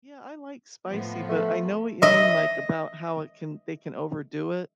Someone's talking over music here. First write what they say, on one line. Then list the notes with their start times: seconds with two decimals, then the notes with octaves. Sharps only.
Yeah, I like spicy, but I know what you mean, like about how it can they can overdo it,
0.89 A2 F3 B3
1.29 A3
2.02 D#5 E5